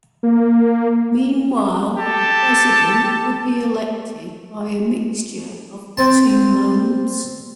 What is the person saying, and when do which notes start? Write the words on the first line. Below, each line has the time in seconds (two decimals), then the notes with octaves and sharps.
Meanwhile, the president would be elected by a mixture of the two modes.
0.23 A#3
1.98 G4 A4 A5
5.97 C4 A5